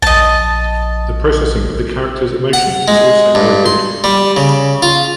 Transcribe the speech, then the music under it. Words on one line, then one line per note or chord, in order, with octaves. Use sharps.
The processing of the characters’ emotions is also very good.
A#1 D#5 A5
F#5
G#3
G2
C6
G3
C#3
F4